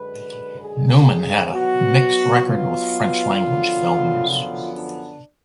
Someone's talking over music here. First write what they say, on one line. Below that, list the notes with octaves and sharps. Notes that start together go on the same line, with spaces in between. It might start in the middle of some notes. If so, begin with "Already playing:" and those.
Newman had a mixed record with French-language films.
Already playing: F#2 D3 G#3 B4
G#4
G#4
B2 F#3 B3 F#4
F4
F#2 D3 F3 B3
F4
D4